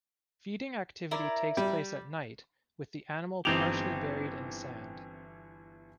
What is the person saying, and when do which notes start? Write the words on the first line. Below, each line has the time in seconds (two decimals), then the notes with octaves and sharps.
Feeding activity takes place at night, with the animal partially buried in sand.
1.11 E4 A#4 D5
1.57 G3
3.45 G1 E3 C4 D#4 G4 F7